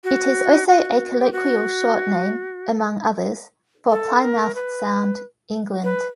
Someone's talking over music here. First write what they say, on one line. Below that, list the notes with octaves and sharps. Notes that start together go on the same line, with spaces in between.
It is also a colloquial short name, among others, for Plymouth Sound, England.
F#4
F#4
G4
F#4
A4
A#4
B4
B4